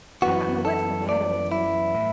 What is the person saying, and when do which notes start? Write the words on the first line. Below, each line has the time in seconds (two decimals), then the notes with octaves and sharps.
I don't know what's the matter with me.
0.22 F#2 E3 B3 F#4
0.65 A4
1.09 D5
1.52 E4
1.95 A2